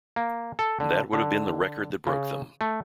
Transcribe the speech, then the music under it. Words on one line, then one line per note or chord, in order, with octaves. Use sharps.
That would have been the record that broke them.
A#3
A4
D3
D3
C#3
A3